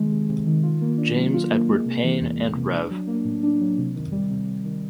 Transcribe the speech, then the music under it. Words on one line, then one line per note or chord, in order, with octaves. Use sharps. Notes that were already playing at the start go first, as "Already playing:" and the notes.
James Edward Payne and Rev.
Already playing: C3 D#3 G#3
C3
C3
D#3
F4
A#3
D4
F#3
F4
A#3
G#3
C3
E3
E2
G#3
C3
D4
F#3
A#3
A2
D4
F#3
C3
D#3
G3
C3
C3
D#3